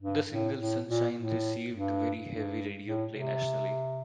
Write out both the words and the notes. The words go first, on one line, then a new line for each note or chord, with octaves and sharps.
The single "Sunshine" received very heavy radio play nationally.
G2
A2
A2
A#2
A2
G2
G2
A2
C3